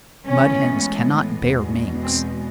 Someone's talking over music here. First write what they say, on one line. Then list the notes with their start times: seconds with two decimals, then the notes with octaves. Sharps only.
Mud Hens cannot bear Minks.
0.25 A2 E3 G#3 B3 C#4
1.43 E2 B2 G#3
2.02 C4